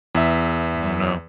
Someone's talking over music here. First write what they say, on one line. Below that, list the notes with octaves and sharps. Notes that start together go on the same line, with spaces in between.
Oh, no.
E2 E5